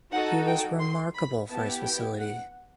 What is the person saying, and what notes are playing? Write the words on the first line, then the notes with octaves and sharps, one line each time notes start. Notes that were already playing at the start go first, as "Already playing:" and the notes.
He was remarkable for his facility.
D#4 F#4 A4 F#5
G5
C6
B5
B3 E4 G4 A5
G5
F#5